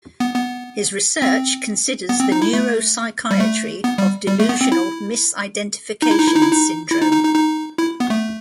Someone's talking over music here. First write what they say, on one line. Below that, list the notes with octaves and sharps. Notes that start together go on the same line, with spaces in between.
His research considers the neuropsychiatry of delusional misidentification syndrome.
B3
B3
C4
B3
C4
D#4
E4
A3
G3
A3
B3
G3
G3
A3
B3
C4
E4
D#4
E4
D#4
E4
D#4
E4
D#4
E4
D#4
D#4
D#4
D#4
E4
B3
A3